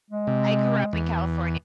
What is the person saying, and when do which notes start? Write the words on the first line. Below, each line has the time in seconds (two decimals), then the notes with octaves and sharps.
I grew up in California.
0.11 G#3
0.27 C3
0.93 E2